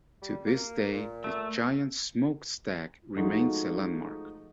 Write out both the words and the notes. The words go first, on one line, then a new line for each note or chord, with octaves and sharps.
To this day, the giant smokestack remains a landmark.
G3
A#3
A#2
A3
F3 G#3 A3 D#4 F4 F#4